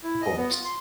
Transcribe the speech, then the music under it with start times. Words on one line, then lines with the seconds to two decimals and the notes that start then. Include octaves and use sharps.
Of course.
0.03 E4
0.21 D#5
0.37 B3
0.51 F4
0.65 C6